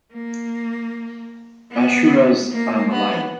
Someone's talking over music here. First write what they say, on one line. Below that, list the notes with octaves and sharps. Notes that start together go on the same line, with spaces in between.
As sure as I am alive.
A#3
B3
A#3
B3